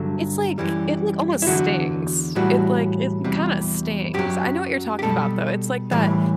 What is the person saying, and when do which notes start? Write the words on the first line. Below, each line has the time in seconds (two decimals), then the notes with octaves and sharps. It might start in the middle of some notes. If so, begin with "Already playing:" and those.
It's like it, like, almost stings, it, like it kinda stings. I know what you're talking about, though, it's like that
Already playing: G2 D3 F#3 A4
0.58 F#2 E3 G3
1.42 E4
1.47 E2 D3 F#3 F#4
2.35 A2 E3 G3 F#4
3.24 E2 C3 G3
4.14 F#2 F#3 G4
4.99 G4
5.02 B2 G3 A4
5.92 A2 E3 G3